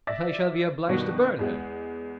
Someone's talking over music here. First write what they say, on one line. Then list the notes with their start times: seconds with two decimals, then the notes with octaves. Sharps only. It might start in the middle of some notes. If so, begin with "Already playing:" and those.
"But I shall be obliged to burn her."
0.07 D5 E5 A6 A#6
0.89 G2 B2 D#3 D4 F#4
1.39 E2 G#3 F#5